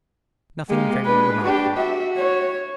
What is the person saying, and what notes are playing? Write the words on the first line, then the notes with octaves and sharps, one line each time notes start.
Nothing very remarkable.
G#3 A#3 G4
D4 B4
D4 G4
F#4 E5
C#5